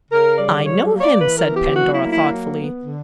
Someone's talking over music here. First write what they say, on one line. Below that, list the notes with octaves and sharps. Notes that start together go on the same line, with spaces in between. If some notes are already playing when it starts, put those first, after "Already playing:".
"I know him," said Pandora, thoughtfully.
C#3 A#4
G3 D5
F#3 C#5
A#3
C#5
D5
E3 B4
A#4
B3
G4
F#3 F#4
E4
A#3
E4
F#3
B3
D3